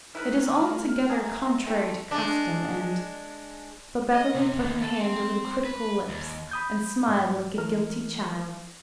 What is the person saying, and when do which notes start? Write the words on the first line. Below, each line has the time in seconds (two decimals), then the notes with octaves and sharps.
"It is altogether contrary to custom, and--" but Beverly put her hand over the critical lips and smiled like a guilty child.
0.15 F2 D#3 E4 B4 F6
0.60 G3 A3
1.09 G#3 A#3 G#4 E5 F#5 A#5
1.66 A3 C4 E4 A4 A#6
2.11 G#3 D4
4.15 D#5
4.34 C3
4.59 D#2
4.82 A4
5.01 C4
5.65 B4
6.09 D#2
6.51 B5 D#6 G6
7.08 G#2 D5
7.57 E3 A3 A#4 F6